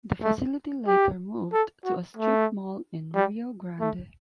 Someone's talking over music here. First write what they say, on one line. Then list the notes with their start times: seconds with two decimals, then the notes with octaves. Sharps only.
The facility later moved to a strip mall in Rio Grande.
0.22 A3
0.87 G4
1.53 A4
1.84 F#4
2.17 A3
3.15 G3
3.80 A3